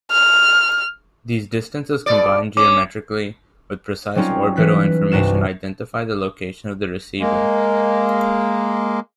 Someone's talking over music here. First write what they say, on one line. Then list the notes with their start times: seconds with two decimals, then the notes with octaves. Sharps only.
These distances combined geometrically with precise orbital information identify the location of the receiver.
0.11 F6
2.06 G#2 B2 D5
2.57 C#4 D6
4.15 F#3 G3 C4 C#4 D#4 F4
4.56 E3 F#6 B6
5.11 C2 G2 D#4 F#4 E7
7.20 G#3 A#3